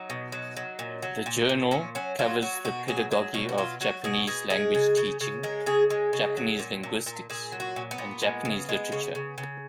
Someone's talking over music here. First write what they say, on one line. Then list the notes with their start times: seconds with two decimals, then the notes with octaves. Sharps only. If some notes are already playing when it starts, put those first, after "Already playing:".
The journal covers the pedagogy of Japanese language teaching, Japanese linguistics, and Japanese literature.
Already playing: F#3 D#4
0.10 B2
0.32 F#3
0.57 F#3
0.79 A#2
1.02 F#3
1.26 A#2
1.49 A#2
1.71 A#2 C#4
1.95 F#3 C#4
2.19 F#3 F4
2.42 F#3 F#4
2.65 B2 F#4
2.88 F#3 G#4
3.11 F#3 G#4
3.34 B2 F#4
3.49 F#4
3.58 F#3 F4
3.81 F#3 F#4
4.04 B2 G#4
4.27 B2 G#4
4.50 G#3 G#4
4.75 C#3
4.97 C#3
5.21 C#3
5.43 G#3 A#4
5.66 C#3 G#4
5.90 G#3
6.13 C#3
6.37 F#3
6.59 A#2
6.83 A#2
7.06 A#2
7.30 A#2 G#4
7.52 F#3
7.60 F#4
7.76 A#2
7.91 B3
7.98 A#2
8.22 G#3
8.45 C#3
8.69 G#3
8.92 C#3
9.15 C#3
9.38 C#3